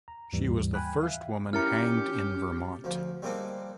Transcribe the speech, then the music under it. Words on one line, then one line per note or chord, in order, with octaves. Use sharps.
She was the first woman hanged in Vermont.
A#5
D#2 G#2 E3 G3
G5 G#5 B5 F#6
E5 F5
C#4 E4 G4 A#4 A#5 F6 A6 C#7
D2 F3
G3 G#3 A#3 C4 D4 D#4